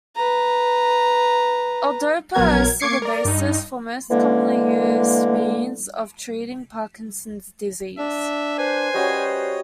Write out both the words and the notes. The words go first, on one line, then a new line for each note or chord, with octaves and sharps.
L-Dopa is still the basis for most commonly used means of treating Parkinson's disease.
B4 A#5
A#1 F#3 B3 A#4 G#6
A#3 C#6 D6 G#6 C7 C#7
A#4 D5
G2 D#4
D3 E3 G#3 A#3
D4 E5
B4 C5 G#5
G3 C#4 F#4 C#5 D#5